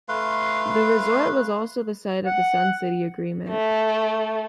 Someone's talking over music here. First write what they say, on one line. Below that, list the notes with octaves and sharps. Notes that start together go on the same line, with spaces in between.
The resort was also the site of the Sun City Agreement.
A3 B4 F5 C6
F#5
A3